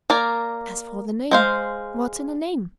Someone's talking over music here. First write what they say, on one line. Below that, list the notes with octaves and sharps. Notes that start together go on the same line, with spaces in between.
As for the name--what's in a name?
A#3 A#4 D5
G#3 C5 F5